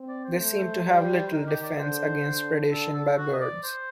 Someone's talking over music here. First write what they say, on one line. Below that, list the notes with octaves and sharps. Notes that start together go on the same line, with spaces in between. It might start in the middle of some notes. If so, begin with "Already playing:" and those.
They seem to have little defence against predation by birds.
Already playing: C4
D5
C5
A3
G3
C5
D#3 A#4
G4
D5
D3 C5
D3
A4
A4
F#4
D#5
D5
C5